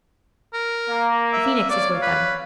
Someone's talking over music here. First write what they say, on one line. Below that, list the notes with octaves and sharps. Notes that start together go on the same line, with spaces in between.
The Phoenix is with them.'
A#4
A#3
E5
C#5 D5 F5
B4